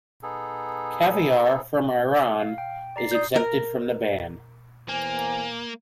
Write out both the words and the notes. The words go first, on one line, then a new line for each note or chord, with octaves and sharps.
Caviar from Iran is exempted from the ban.
B3 D#4 G#4 A4
F5
G5
D5 A#5 C7
D5 D#6 G6
A#4
E2 A#3 C5 G#5